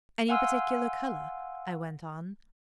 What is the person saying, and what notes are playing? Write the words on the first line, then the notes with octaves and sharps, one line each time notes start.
"Any particular color?" I went on.
F5 F#5 G#5 C6 E6 F6